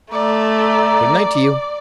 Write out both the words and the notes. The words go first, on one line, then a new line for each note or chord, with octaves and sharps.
"Good-night to you."
A3 D5 A#5